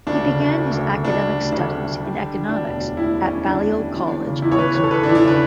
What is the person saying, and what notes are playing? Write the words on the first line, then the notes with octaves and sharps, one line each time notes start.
He began his academic studies in economics at Balliol College, Oxford.
D2 D4
C#3
D2
D2
D2
D2
D2 D4
D2
G3
D2 D4
D2
D2
G3
D3
D3
D2 D4
E1
E1
G3 E4
D3
C#4
D3
D3 D4
D3
G3
E2
E3
C#3
E2 E4
C#5
E2 B4
E2 C#5
A4
E2 B4
D4
E2 E4
D4
C#3 B4